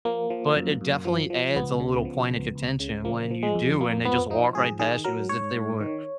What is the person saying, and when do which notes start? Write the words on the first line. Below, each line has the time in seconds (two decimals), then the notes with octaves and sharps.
but it definitely adds a little point of contention when you do, and they just walk right past you as if they were
0.05 F3 A#3
0.30 F3
0.56 F#2
0.81 F#2
1.05 F3
1.30 F3
1.56 C#2 B3
1.80 C#3
2.05 F3
2.31 C#2
2.55 C#2
2.80 C#3
3.05 F3 A#3
3.31 F3
3.43 G#3
3.55 F2
3.81 F2 A#3
4.05 F3 B3
4.30 F3 D#4
4.55 G#2 G#4
4.79 D#3 G#4
5.04 F#3 A#4
5.29 G#2 C#5
5.55 G#2
5.81 D#3